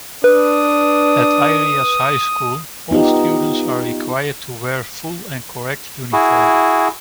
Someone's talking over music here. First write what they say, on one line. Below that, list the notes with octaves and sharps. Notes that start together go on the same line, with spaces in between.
At Eirias High School all students are required to wear full and correct uniform.
D4 B4 D#6
B3 D#4 F4 G4
E4 F#4 G#4